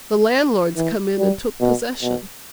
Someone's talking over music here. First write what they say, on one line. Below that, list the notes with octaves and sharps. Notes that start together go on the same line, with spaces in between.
The landlord's come in and took possession.
E3
G3
B2
B2